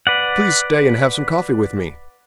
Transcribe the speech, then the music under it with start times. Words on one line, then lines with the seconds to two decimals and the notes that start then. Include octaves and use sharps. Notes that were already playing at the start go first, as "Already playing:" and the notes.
"Please stay and have some coffee with me."
0.07 B4 D5 F#5